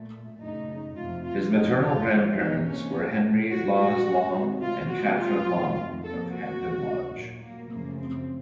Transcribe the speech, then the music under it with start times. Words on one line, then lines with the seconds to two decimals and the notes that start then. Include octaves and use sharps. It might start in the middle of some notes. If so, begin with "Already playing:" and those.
His maternal grandparents were Henry Lawes Long and Catharine Long of Hampton Lodge.
Already playing: A#2 A3
0.40 F#2 C#3 A3 D#4
0.96 F2 C3 F3 A3 F4
1.25 F4
1.53 F#2 F3 A#3 D#4
1.81 F4
2.09 F#2 F3 A#3
2.37 D#4
2.65 C3 D#3 A#3 C#4
3.21 A#2 A3
3.50 F#4
3.78 A#2 F#3 A3 F#4
4.34 C3 D#3 A3
4.63 F4
4.90 C3 F#3 A#3 F#4
5.18 F4
5.47 F2 C3 D#3 A3
6.02 C3 F3 A#3 A4
6.31 F#4
6.59 D#2 C#3 A3
7.15 A#2 F#3 A#3
7.43 A#3
7.71 F#2 C#3 F3 A3 A#3
8.00 C4